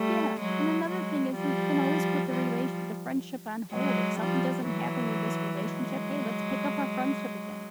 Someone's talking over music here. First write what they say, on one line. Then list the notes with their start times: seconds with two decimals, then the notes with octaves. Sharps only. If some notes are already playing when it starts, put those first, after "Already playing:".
Yeah. And another thing is, is you can always put the relation the friendship on hold. If something doesn't happen with this relationship, "Hey, let's pick up our friendship again."
Already playing: G3 A3
0.41 F#3 G#3
0.88 F#3 G#3
1.36 F3 G3
2.31 F3 G3
3.73 F#3 G#3
4.20 F3 G3
4.67 E3 F#3
5.62 F#3 G#3